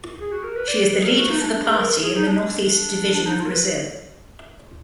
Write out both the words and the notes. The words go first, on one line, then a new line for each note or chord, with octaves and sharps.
She is the leader for the party in the northeast division of Brazil.
G#4
F#4
A#4
B4
D5
D5
B4
G#4
A#4
F#4
D#4
D4
D4
G#4
B4
A#4
G#4
D#4
D4
D4
D#4
F4
A#4
B4